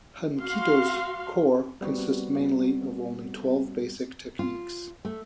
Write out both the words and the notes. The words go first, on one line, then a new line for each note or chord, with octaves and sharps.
Hankido's core consists of only twelve basic techniques.
F#4 F5 C6
G3 B3 C4 F#4
F4
A3